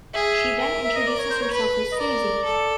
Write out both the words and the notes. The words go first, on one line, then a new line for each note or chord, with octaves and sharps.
She then introduces herself as Suzee.
G#4 E5
A#4
E5
D#5
D5
C#5
C5
C#5
B4
D#5
A#4 D5
A4